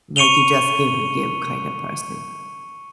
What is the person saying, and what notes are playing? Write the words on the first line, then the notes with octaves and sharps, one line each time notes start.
Like, you just give and give kinda person.
C#6 C#7 D#7 F7 G7